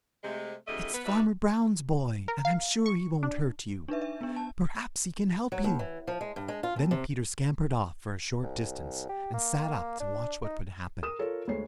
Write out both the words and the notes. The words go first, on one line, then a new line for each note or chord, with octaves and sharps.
"It's Farmer Brown's boy and I'm sure he won't hurt you. Perhaps he can help you." Then Peter scampered off for a short distance and sat up to watch what would happen.
C3 G#3 A3
F2 D3 G3 A3 G#4 D#5
B3 B4
D4 D#4 F#4 B4 D5 E5
A#4
F5
C#6
D4
D4 D#4 B4 E5
E5
B3 D4
A5
F#3
D#2
E3
F3
G#3
G2
G#3
F4
D#2
C3
C2
G4
A#3
D4
D#4
A#4 D#6 E7
F4 A4 A#4 C#5
D2 G#3 C#5 C7